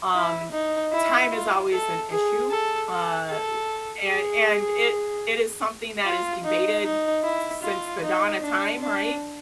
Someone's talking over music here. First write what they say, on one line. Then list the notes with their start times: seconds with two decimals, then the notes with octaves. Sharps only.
um, time is always an issue. Uh, o and and it it is something that is debated since the dawn of time, right?
0.14 E4
0.52 D#4
0.93 E4
1.32 F4
1.71 A4
2.10 G#4
2.50 A4
2.90 A4
3.28 A4
4.07 G#4
6.05 F4
6.44 D#4
6.83 D#4
7.23 E4
7.62 F4
8.02 D#4
8.41 D4
8.81 D4